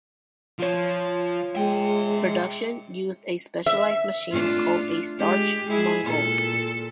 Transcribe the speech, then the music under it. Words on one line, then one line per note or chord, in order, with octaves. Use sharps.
Production uses a specialized machine called a starch mogul.
F3 F4 C#5
G#3 E5 G5
E5
A3 D4 F4
G#3 G4
G#3 E4 G#4
A#2 A4